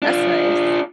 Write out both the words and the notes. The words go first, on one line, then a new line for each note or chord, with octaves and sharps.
That's nice.
D4 F4